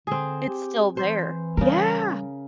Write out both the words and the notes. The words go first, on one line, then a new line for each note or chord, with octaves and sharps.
It's still there, yeah.
D3 C4 G#4
G4
E3 C5
C#3 G3 A#4